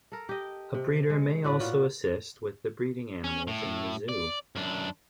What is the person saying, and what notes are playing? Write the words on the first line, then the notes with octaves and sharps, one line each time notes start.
A breeder may also assist with the breeding animals in the zoo.
A4 A#4
G4 D#5
C3
G#3
A2 F#4 B4 D5
A#2 B3 F4 F#4
C#4
A2
D5
F#2 D4